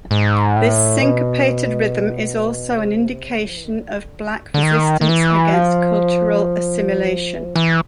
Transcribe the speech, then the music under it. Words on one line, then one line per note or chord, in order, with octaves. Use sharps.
This syncopated rhythm is also an indication of Black resistance against cultural assimilation.
G#2
A2
B2
C#3
C3
C#3
F3
E3
D#3
D3
D3
D#3
D#3
E3
F3
E3
F3
E3